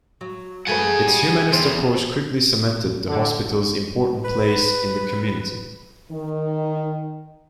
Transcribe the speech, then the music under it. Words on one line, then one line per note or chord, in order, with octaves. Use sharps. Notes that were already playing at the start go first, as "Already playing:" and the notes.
Its humanist approach quickly cemented the hospital's important place in the community.
F#3
F#2 A3 G#4 B4 F#5 G#5
G3
E2 C4
D3
B4
D#3